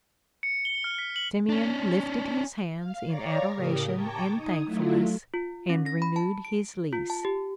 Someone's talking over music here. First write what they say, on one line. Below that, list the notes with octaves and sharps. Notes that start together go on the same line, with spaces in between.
Simeon lifted his hands in adoration and thankfulness and renewed his lease.
C#7
G7
F6
B6
F#7
C#4 D4
F5
C#5 D5 F5 A#5 C#6
A2 C#3 G4 A#4 D#6
G5 A5 A#5 C#6 D6 G#6
D#4 D#6 G#6
F#3 A3 E4 F4
F4
C#4
A#6
B5
A5
D7
F4
A5
G4